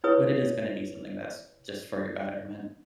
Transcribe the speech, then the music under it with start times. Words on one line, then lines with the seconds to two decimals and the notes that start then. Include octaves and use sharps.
but it is gonna be something that's just for your betterment.
0.04 E4 G#4 B4 C#5 D#6